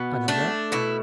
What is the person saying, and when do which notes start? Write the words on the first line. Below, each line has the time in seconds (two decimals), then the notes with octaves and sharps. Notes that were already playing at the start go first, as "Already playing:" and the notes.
"I know that."
Already playing: B2 B3
0.28 A3 D4
0.72 B2 E4